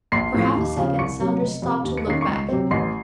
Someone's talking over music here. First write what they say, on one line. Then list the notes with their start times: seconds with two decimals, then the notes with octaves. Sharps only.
For half a second Saunders stopped to look back.
0.12 A#1 C6 C7
0.34 A2 F3
0.56 D#2
0.77 C#3 F3
0.98 C2 C#6 C#7
1.19 C3 F#3
1.42 F1
1.62 F2 C3
1.84 D#2
1.97 C#7
2.06 D#3 A#3 C#4 C7
2.21 C#6 C#7
2.28 C#2
2.49 C3 F#3 C4
2.71 A1 C6 C7